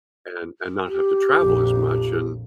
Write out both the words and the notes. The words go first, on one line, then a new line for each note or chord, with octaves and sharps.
and and not have to travel as much and
G4
A#1 F2